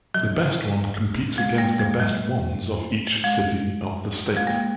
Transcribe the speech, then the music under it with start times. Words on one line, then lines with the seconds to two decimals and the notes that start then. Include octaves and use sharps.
The best one competes against the best ones of each city of the state.
0.14 F#3
1.38 G#3
1.58 A#3
1.80 G#3
2.00 F#3
3.24 G#3
4.37 G#3
4.47 A#3